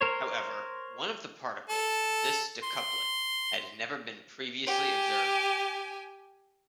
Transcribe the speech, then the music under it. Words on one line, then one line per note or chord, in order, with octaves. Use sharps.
However, one of the particles of this decuplet had never been previously observed.
A#4 C5 C#5
A4
C6
G4 G#5